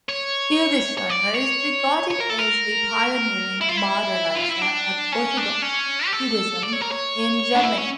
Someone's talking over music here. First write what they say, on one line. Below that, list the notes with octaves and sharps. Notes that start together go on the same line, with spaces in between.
Hildesheimer is regarded as a pioneering "Moderniser" of Orthodox Judaism in Germany.
C#5
C#5
D5
C#5
C#5
A#4
A4
A#4
E4
F4
E4
F4
E4
D4
C#4
D4
C#4
G4
A4
D5
C#5
A#4
C#5
D4
E4
C#4